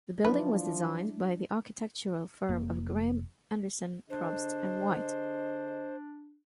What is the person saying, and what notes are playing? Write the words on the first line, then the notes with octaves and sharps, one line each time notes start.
The building was designed by the architectural firm of Graham, Anderson, Probst and White.
F3 F#3 D4 E4 B4
F1 A#3
D3 D4 G#4 C5 D#5